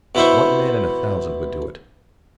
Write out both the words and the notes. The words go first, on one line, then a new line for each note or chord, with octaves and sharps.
Not one man in a thousand would do it.
B2 E4 C5 C#6